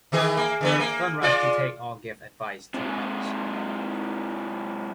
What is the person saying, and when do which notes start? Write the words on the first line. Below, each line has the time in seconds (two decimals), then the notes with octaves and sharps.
Don’t rush to take or give advice to others.
0.12 D#3 E3 G#4
0.37 A#3
0.61 D3 E3 B3
0.80 A#3
1.22 G#3 F4 D5
2.74 C3 G#3